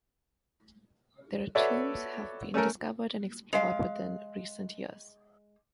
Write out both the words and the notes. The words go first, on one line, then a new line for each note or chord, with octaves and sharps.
Their tombs have been discovered and explored within recent years.
F#4 A4 B4 C#5 D5 E5
A3 C#4 A4 A#4
G#3 F5